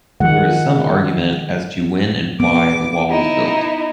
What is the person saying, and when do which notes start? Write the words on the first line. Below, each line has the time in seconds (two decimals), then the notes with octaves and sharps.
There is some argument as to when and why the wall was built.
0.20 D#3 F3 G#3 F#5
2.40 B3 D6
3.09 D#4 E4